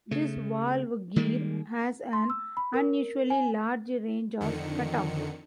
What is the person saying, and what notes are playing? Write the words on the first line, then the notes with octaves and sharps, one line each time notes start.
This valve gear has an unusually large range of cutoff.
C#3 A3
D#3 G3 G#3 A#3
C6
E6
B5
A#4
G#5
F2 D3 D#3 C#7